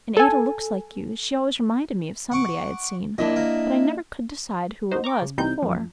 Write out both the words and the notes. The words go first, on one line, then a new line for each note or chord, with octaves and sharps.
And Ada looks like you--she always reminded me of somebody I had seen, but I never could decide who it was before.
A4 G#5
F#5 C#6 D6
A#2 D4 E4 D#5
A#3
D#4 F#4 C5
A#5 C#6 D6
C#3
C2 E3 G3 C4 D#4 G6
F#2 F3